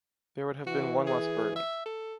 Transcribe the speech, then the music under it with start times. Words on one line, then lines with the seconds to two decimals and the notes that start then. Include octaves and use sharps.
There would have been one less burden.
0.67 E3 F#4
1.07 G#4
1.56 E5
1.85 A4